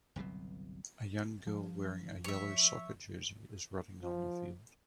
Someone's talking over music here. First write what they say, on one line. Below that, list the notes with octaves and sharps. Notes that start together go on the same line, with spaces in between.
A young girl wearing a yellow soccer jersey is running on a field.
G1 C2 B2 F#3
F3
C#5 E5
F3